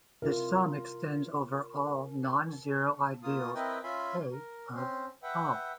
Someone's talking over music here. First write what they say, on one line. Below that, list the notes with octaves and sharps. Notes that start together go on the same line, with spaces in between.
The sum extends over all non-zero ideals "a" of O.
C3 E4 F4 A#4
A#3 F4 D#6
C4 E4 A#4 B4 D#5 G5
C#4 F4 E5 G#5 B5 C6
A#4
C4 C#4 C5
B4 E5 F#5 G5